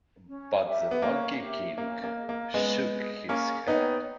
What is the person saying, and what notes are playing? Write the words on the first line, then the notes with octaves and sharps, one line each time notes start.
But the Monkey King shook his head.
C#4
G4 A#4 E5
B3
A#3 C#4
G4 A#4 E5
A#3 C#4
A#3
G#4 D#5
A#3
G#3 B3 C#4
G#4
D#5
A#3 C#4 G#4
B3 D#4 C#5 G5